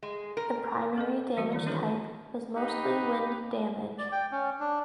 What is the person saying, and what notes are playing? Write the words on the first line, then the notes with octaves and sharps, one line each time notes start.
The primary damage type was mostly wind damage.
G#3
A#4
C4 A4 B4 D#5
E3 G3 F#4 C#6
D#3 E3 E4 D5
C#4 D#4 F#4 A4 B4 C#5
D#4 G4 B4 B5
D5
G5
C#4
D4